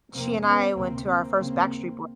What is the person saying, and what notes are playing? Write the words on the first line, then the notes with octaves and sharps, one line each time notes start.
she and I went to our first Backstreet Boy
F2 C3 A#3 C4
B3 C#4
D2 C3 A#3 C4
A#3 C4
D#2 C#3